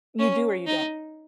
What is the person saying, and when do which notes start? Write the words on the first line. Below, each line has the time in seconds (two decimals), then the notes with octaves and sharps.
You do or you don't?
0.19 C#4
0.67 D#4